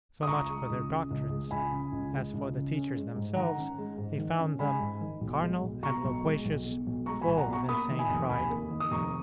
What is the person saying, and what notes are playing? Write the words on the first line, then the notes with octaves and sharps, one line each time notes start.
So much for their doctrines; as for the teachers themselves, he found them "carnal and loquacious, full of insane pride."
D#6
C#2 A#5 C#6
G#3
C#2
C#3
C#2
G#3
C#2 G#5 B5
C#3
C#2
G#3
C#2
C#3
C#4
G#3
G#2
D#3 F#5 A#5
C#4
G#3
G#2
D#3
C#4
G#3 G#5 B5
G#2
D#3
B1
G#3
B1
B2 A#5 C#6
B1
G#3
B1
B2
B1
G#3 A#5 C#6
G#5 B5
B1
F#5 A#5
B2
A#5 C#6
A#3 B5 D#6
D#3
G#5 B5
F1
D#2 G#5 B5
A#3
D#3
D#6
F1 A#5 C#6